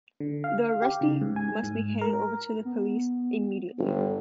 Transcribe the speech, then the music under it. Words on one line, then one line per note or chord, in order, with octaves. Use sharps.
The arrestee must be handed over to the police immediately.
D3
F5
G4
C#3
G#2
G#5
G#2
A#4
B3
G1